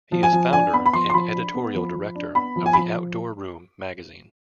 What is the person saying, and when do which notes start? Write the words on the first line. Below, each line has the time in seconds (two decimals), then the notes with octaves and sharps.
He is founder and Editorial Director of "The Outdoor Room" magazine.
0.12 F3
0.23 G#5
0.33 F3
0.53 D4 G#5
0.73 B3 B5
0.86 B5
0.93 F3 C6
1.10 C6
1.14 F3 B5
1.34 D4
1.54 B3
1.75 F3
1.95 F3
2.15 D4
2.35 B3 B5
2.56 F3
2.66 G#5
2.73 B5
2.76 F3